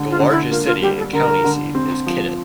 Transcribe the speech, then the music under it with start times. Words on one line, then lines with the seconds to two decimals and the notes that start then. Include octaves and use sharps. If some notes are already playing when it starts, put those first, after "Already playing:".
The largest city and county seat is Kennett.
Already playing: D3
0.10 F4
0.20 D3
0.31 E4
0.50 A#3 F4
0.66 F4
0.82 G3 G4
0.98 A4
1.13 D3 A#4
1.44 D3
1.75 C4
2.07 F3